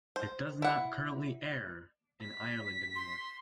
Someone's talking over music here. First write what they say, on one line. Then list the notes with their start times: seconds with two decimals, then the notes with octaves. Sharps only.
It does not currently air in Ireland any more.
0.16 C5
0.62 E4 F#5
2.22 B6
2.96 C6